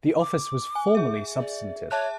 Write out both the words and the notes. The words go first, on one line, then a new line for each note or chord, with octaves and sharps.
The office was formerly substantive.
D6
G#5
G#4 E5
D5
C#5 E5 A5 F#6